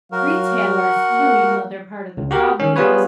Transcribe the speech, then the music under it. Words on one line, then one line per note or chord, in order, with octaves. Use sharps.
retailers, too, even though they're part of the problem because
F#3 F#4 A#4 F5
F#5
A#3
C#2
F#4 G4 A#4
D#3 C#4
G3 B3 F4 G#4 B4 C#5